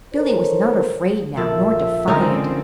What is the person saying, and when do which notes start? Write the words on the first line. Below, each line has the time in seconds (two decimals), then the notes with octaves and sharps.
Billy was not afraid now, nor defiant.
0.14 D#4 A4 A#4 C5 C#5
1.37 A#1 A4 E5
2.08 D3 G#3 C4 C#4 D#4 A#4